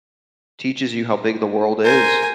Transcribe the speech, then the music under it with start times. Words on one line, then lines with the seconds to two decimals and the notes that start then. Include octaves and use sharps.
teaches you how big the world is,
1.85 A#4 C5 G#5